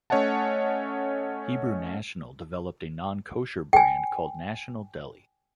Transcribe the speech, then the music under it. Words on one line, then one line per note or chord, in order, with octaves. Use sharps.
Hebrew National developed a non-kosher brand called "National Deli".
A3 C#4 C#5 D#5 F#5 A5
G5 G#5